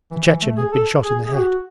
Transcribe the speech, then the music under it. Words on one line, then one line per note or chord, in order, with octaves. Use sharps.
The Chechen had been shot in the head.
E3
E3
A3
G#4
A4
G#4
G#4
F#4